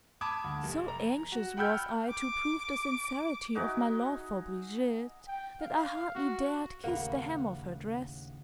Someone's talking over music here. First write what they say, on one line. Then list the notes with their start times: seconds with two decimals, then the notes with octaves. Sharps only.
So anxious was I to prove the sincerity of my love for Brigitte, that I hardly dared kiss the hem of her dress.
0.21 A5 B5 D6 D#6 G#6
0.44 D2
0.63 F1
0.88 A#5
1.32 F#4
1.57 F#5 G5 B5 E6 F6 G6
2.10 D6
3.55 D#4 F#4 G#4 E5
5.28 G5
5.60 F5
6.15 F#4
6.84 D#2 A2 C#3 A#3 F#5 B5